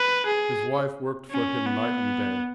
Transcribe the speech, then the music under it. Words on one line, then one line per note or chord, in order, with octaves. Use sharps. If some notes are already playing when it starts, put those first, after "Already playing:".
His wife worked for him night and day.
Already playing: B4
G#4
C#4
B3